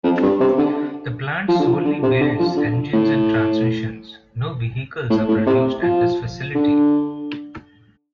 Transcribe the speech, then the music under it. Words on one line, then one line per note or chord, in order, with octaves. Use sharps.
The plant solely builds engines and transmissions; no vehicles are produced at this facility.
F2
G2
C3
D3
F3
D3
F3
D3
C3
D3
F3
D3
A2
A2
A2
C3
F3
D3